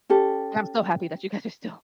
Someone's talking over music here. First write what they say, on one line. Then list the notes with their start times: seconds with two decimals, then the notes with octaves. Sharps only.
and I'm so happy that you guys are still
0.10 C#4 G4 A4